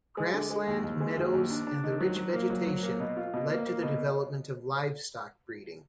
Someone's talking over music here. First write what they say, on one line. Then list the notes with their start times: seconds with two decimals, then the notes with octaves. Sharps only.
Grassland, meadows and the rich vegetation led to the development of livestock breeding.
0.17 G#3
0.34 D3
0.50 G#3
0.67 D#2
0.84 D#2
1.00 G#3
1.18 D#2
1.33 D#2
1.50 D4
1.67 D4
1.84 D#3
2.00 F#3
2.16 F#3
2.33 A#3
2.50 F#3
2.67 F#3
2.83 A#3
3.00 B2
3.16 F4
3.33 B2
3.50 A#3
3.66 A#3
3.83 B2